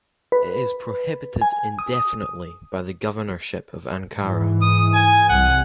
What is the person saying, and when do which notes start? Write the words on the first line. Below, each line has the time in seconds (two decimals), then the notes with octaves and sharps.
It is prohibited indefinitely by the Governorship of Ankara.
0.32 B4
1.41 G#5
1.79 D#6
4.14 G#2 E3
4.61 D#6
4.94 G#5
5.29 C2 F#5